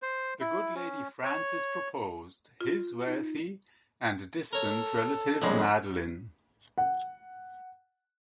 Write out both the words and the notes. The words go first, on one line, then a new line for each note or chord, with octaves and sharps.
The "good lady" Francis proposed: his wealthy and distant relative Madeleine.
C5
E4
C#4
C#5
F4
D#4
A4 A#4 C#5
A#1 F2 C#3 G3 G#3
F#5